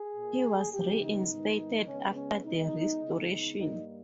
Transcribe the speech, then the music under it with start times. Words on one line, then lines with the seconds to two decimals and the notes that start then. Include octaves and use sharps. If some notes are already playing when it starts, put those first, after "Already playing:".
He was reinstated after the restoration.
Already playing: G#4
0.16 A#2 A#3
0.73 C#3 E3 G#3 B3 G4
1.02 D#4
1.30 G#2 D#3 G#3 B3
1.87 C#3 G#3 B3 C#4
2.16 C#4
2.45 B2 G#3 B3 D#4
3.02 C#3 G#3 B3
3.30 D#4
3.59 G2 G3 A#3 D#4